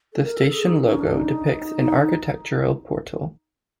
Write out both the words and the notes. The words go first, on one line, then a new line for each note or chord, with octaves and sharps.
The station logo depicts an architectural portal.
A4
A#4
A4
G#4
D#4
C#4
D4
D#4
D#4